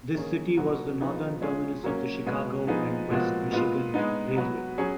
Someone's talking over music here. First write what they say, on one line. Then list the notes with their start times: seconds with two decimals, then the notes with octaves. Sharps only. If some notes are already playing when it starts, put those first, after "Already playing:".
This city was the northern terminus of the Chicago and West Michigan Railway.
0.15 D#3 A#3 C#4 G#4
0.57 B2 F#3 B3 F#4
1.00 F3 B3 D#4 G#4
1.41 G#3 C#4 F4 G#4
1.84 F#3 A#3 C#4
2.26 B2 G#3 B3
2.67 F3 B3 D#4 G#4
3.10 A#2 F3 G#3 B3 F#4
3.52 A#2 G#3 B3 F4
3.94 G#3 B3 D#4
4.36 F#3 B3 F#4
4.78 F#3 C#4 G#4